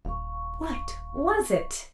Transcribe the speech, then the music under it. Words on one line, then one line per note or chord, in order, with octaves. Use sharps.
What was it?
D#1 F5 C#6